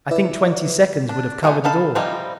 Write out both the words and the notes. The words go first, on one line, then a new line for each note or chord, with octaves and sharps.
I think twenty seconds would have covered it all.
E4 B4 D5 E5
D4
E3 A3 D4 F#4 G#4
D#4 A4 F5 A5 B5
E3 F3 G3 C4 D#4